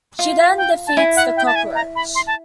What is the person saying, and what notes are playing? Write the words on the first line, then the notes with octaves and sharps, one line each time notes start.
She then defeats the Cockroach.
F4
G5
A5
E4 G#5
F#5
G5
A5
G#5
A#5
B5
C6
A5